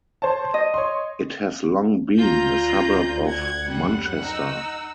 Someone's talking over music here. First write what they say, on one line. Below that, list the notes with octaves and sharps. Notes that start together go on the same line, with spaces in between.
It has long been a suburb of Manchester.
C5 C#5 A5
D#5
C#5 C6
D2 F4 A#5 G6
F#5 G#6
F#2 G3
D#4 E6